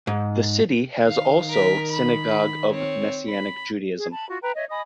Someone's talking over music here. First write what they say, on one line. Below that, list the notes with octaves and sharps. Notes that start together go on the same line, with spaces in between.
The city has also synagogue of Messianic Judaism.
G#2
D#3 F5
A#4 B6
B5
C4 C#5
B5
G#4
A5 B5
F4 F#4
B4 G5 A#5
C#5 D#5 E5
D#5 G#5 B5 D#6